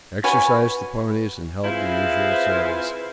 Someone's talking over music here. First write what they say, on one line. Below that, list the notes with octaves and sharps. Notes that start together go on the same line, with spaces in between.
Exercised the ponies and held the usual service.
F#4 B4 C#5 G#5
C4 E4 F4 G#4 B4 C5